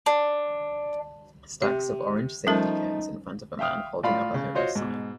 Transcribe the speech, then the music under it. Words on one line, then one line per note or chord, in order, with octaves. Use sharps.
Stacks of orange safety cones in front of a man holding up a homeless sign.
D4
C3 E5
F3 G3 A3 C#4 D#4 A#4
E5 F5 G5 D#6 F6
A2 F4 D5 F5 B5
C#3
F4 F#4 C5 C#5 D#5
G#2 B2